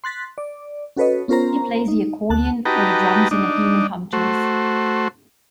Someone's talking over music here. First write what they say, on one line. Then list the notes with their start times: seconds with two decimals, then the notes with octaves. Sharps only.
He plays the accordion or the drums in the Heman Hunters.
0.04 C6 F#6 A6 B6
0.38 D5
0.97 C#4 F#4 A4 B4 C#5 D#5
1.28 B3 C#4 F4 A#4 C5 A#5
1.88 D#4
2.30 D2 A5 F#6
2.65 D#4 F#4 G4 B4 A5 A#5
3.31 D4 D#4
4.13 A3 F#4 C5